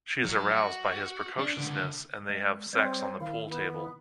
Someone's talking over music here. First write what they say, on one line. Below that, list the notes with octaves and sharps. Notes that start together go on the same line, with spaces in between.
She is aroused by his precociousness, and they have sex on the pool table.
F#3
F#4
D4
C#2 D3
G#3
G3 C4 C5 C#5
D#3 E4 F5
B3